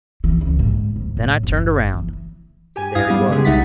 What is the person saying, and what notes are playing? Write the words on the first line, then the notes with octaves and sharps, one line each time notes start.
Then I turned around and there he was.
E3
C#2
G#2
D2
A2
F#1
E3
G4 G#5
G2 E4 F5 D#6 G#6
G3 B3 G4
C#3 G#3 B3 G4 G#4
B1 D#4 E5 F#5 A6 B6